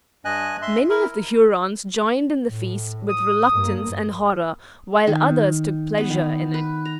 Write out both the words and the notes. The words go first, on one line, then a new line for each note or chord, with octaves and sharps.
Many of the Hurons joined in the feast with reluctance and horror, while others took pleasure in it.
G2 D#5 G#5 F#6
E5 C6
E4 A#4
A2
D#6
G2 A#3
D#3
B3
D#3
B4
A#5